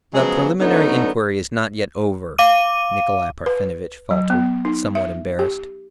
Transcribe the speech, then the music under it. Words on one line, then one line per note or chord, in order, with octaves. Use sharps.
"The preliminary inquiry is not yet over," Nikolay Parfenovitch faltered, somewhat embarrassed.
C#3 F3 F#3 G#3 B3 G#4
D3 F#3 A3 B3 C#4 D#4
F5 D6 D#7
B4
F#3
B3
D#4
E5
G4